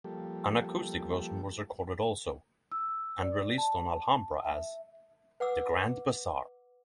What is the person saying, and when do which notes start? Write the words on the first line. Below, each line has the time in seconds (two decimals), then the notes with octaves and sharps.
An acoustic version was recorded also and released on Alhambra as "The Grand Bazaar".
0.04 F3 G3 A#3 G4 A4
2.72 E6
3.22 D5
3.58 A5
4.45 E5
5.40 B4 F#5 D6 E6